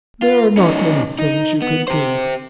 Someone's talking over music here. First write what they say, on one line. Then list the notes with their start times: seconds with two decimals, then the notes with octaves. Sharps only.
"There are not many things you could do."
0.22 F4
0.57 C#4 D#4
1.19 D#4
1.62 B3
1.88 G4 C5